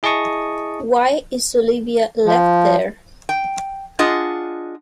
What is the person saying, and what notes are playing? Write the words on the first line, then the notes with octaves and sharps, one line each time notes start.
Why is Olivia left there?
E4 G#4 D#5 A5 C#6 D#6
F3
G5
D4 F4 G#4 D#5 F#5